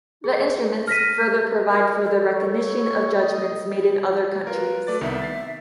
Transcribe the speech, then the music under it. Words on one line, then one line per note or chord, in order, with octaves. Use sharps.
The instruments further provide for the recognition of judgments made in other countries.
G#4
F6 A#6 B6 D#7
A#4
A4
C#5
D#5
F4 A#4 B4
A3 D5 A6
C2 D#3 B3 E5
A6 C7